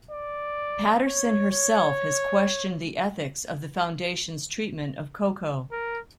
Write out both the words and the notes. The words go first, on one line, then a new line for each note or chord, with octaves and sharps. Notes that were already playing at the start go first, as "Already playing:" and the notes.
Patterson herself has questioned the ethics of the Foundation's treatment of Koko.
D5
C#5
C#5
A#4